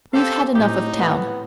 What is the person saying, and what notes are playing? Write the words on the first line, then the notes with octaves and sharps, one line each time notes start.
We've had enough of town.
C4 G4 A4 F5
A2 D#4 G4
B3